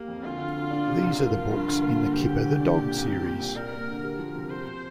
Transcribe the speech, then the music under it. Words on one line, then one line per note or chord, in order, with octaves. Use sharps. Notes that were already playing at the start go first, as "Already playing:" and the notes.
These are the books in the "Kipper the Dog" series.
Already playing: A#3 G4
F2
D2 F4
D3
D2
D4
C3
C2
F4 A#4
F3
G2
D3
A#3
D3
D2 G4
D3
D2
D4
A#2
C2
C2
A#2
C2
A#4 D5
A#3
D3
G4 A#4
F3
C3
G4 C5
C3